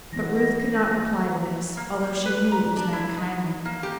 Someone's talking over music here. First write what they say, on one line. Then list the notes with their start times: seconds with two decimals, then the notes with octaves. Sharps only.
But Ruth could not reply to this, although she knew it was meant kindly.
0.12 E3 G#3 B3 A#6
1.77 A#3
2.26 B4
2.51 A#5
2.76 D4
2.93 E4
3.17 D#4
3.65 A#3
3.83 G4